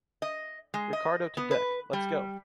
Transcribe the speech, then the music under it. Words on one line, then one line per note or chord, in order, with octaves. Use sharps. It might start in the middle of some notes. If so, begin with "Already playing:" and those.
Ricardo to deck, let’s go!
D#5
G#3
D#5
B3
B4
G3